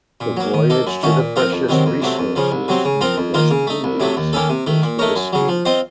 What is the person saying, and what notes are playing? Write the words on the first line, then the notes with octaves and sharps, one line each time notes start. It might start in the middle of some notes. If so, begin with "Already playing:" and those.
The voyage to the precious resources in the West Indies was risky.
A#2
F#3 A#3
D#3
A#3 D#4 A4
F#2
D#3 A3 C#4 F#4
A#2
F3 C4 F4 A#4
F2
C3 D#3 F#3 C4
F2
C3 F#3 A3 C4
F2
C#3 F3
C2
C3 F#3 C4
C#3
F3 C4 F4 A#4
F2
D#3 A#3 F4 A#4
C#3
A3 D#4
C2
C3 F#3 A3
D#2
D#3 A#3 C#4 A4
C3
D#3 A3
A#2
A3 D#4 A#4 C#5
F#2
C#3 F#3
F3
C4 F4 C5 D#5